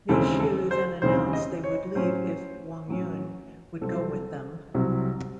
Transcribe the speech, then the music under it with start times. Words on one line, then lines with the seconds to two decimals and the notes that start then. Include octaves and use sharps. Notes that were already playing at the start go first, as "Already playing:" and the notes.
Li Jue then announced they would leave if Wang Yun would go with them.
0.09 D#2 C#3 E3 G#3 C4 A4
0.39 A4
0.71 C5
1.02 D#2 C#3 E3 G#3 C4 C5
1.33 D#5
1.64 C#5
1.95 A2 F#3 C#4 C5
2.88 A2 F#3 C#4
3.81 C2 C3 F#3 C4 A4
3.91 C5
4.01 A4
4.74 C2 C3 F#3 C4